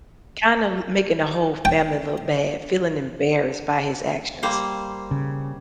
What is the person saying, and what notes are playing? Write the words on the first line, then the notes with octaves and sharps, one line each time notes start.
Kinda l making the whole family look bad, feeling embarrassed by his actions.
G5
G3 A#3 C5
C#3